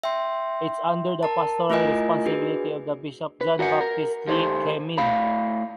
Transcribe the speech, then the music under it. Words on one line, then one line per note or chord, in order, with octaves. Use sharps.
It’s under the pastoral responsibility of the bishop John Baptist Lee Keh-mien.
E5 G5 C6
A#4 A5
A3 E4 F4 A#4 D#5 G#5
D4 F#4 G#4 B4
B4
F#4 A#4 E5 F#5
A#4
D#3 G4 A4 C5
A2 F5 B5